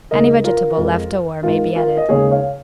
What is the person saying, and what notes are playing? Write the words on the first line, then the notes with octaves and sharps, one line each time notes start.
Any vegetable left over may be added.
D#2 C#3 G#3 A#4 D#5
F4 A#4
F2 F3 G#3
G#2 F3 G#3 F4 A#4
F4 A#4
D#5
D#2 C#3 G#3 G#4 C#5
C#5 F5